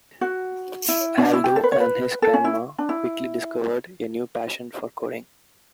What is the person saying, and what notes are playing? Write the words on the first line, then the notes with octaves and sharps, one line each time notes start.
Aldo and his grandma quickly discovered a new passion for coding.
F#4
E4
C#4
D4
E4
G4
A4
B4
C#5
B4
A4
C#4
E4
D4
E4